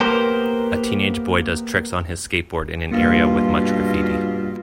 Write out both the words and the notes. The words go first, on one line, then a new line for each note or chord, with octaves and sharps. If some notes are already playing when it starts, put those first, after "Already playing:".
A teenage boy does tricks on his skateboard in an area with much graffiti.
A#3 B3 G4 A#4 C5
G2 B2 A#3 F4